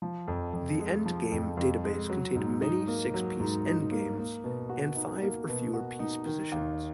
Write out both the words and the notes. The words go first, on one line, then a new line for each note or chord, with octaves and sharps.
The endgame database contained many six piece endgames and five or fewer piece positions.
F3
F2
F2
G#3
F3
F2
F2
G#3
F#3
G#2
D#4
A#3
F#3
G#2
D#4
A#3
A#3
B2
F#4
D#4
A#3
B2
F#4
D#4
D#3
D#2